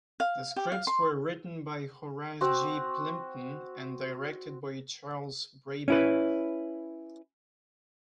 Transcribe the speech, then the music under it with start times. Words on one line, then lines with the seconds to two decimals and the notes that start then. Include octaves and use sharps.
The scripts were written by Horace G. Plympton and directed by Charles Brabin.
0.20 F5
0.56 G4
0.72 F5
0.87 C6
2.41 C4 F#4
5.88 C#4 E4 B4